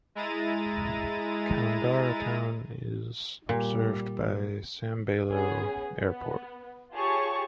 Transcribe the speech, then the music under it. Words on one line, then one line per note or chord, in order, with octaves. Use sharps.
Koundara town is served by Sambailo Airport.
G#3 E4 A#5 A6 D#7
A#2 G3
B3 C#4 G#4
B3
F4 G4 G#4 C#5 A5 C#6